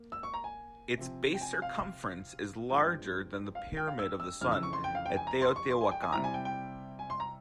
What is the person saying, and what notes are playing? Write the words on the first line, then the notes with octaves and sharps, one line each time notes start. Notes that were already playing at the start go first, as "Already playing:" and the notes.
Its base circumference is larger than the Pyramid of the Sun at Teotihuacan.
Already playing: A#3
E6
C#6
A#5
G#5
C3 F3 C4
G5
G#5
F5
G2 F3 G#3 C4 G5
F5
G5
F5
E6
E6
F2 C#3 E3 F6
E6
C#6
C6
G5
F5
G5
G#5
A#5
C6
C#6
C6
G#5
G5
G#5
C3 G3 C4 E4 A#5
G#5
G5
G5
G#5
C6
A#5